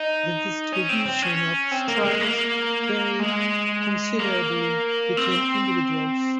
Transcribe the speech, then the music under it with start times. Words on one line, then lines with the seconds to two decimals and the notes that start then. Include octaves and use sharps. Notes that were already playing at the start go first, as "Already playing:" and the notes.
The distribution of stripes varied considerably between individuals.
Already playing: D#4
0.73 C#4
0.89 C4
1.06 C4
1.22 C#4
1.71 C4
1.88 A#3
2.04 G#3
2.21 A#3
3.20 G#3
4.19 A#3
5.17 C4